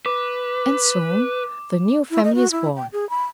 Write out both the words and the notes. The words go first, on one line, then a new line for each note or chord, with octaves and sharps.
And soon the new family is born.
B4 D6
E4
D#5
F#4
E4
G5
G#4
B5